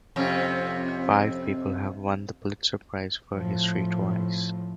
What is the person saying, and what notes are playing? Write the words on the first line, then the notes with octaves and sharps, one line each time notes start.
Five people have won the Pulitzer Prize for History twice.
F2 C3 C#4
A2 F3